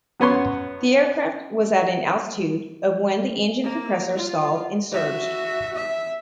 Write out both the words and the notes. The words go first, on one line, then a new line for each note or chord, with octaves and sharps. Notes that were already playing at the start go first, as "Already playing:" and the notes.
The aircraft was at an altitude of when the engine compressor stalled and surged.
F#2 B3 C#5 C6
A#3
F4
F#4 E5
E5